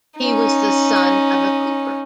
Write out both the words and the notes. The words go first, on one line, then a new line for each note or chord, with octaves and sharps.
He was the son of a cooper.
C#4 D#4